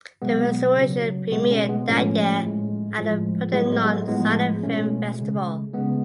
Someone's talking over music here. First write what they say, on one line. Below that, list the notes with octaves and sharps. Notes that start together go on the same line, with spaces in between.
The restoration premiered that year at the Pordenone Silent Film Festival.
B2 F#3 G#3 B3
C#3 F#3
B2 G#3 B3
A3 C#4
G#3 B3
A2 F3 G#3 A3 C#4
A2 G#3
A2 F3 G#3
A2 F#3 G#3 B3
G#3 B3
G#3
A3
A2 F3 G#3 B3
B2 G#3 A3 C#4
C#3 G#3
C#3 G#3 B3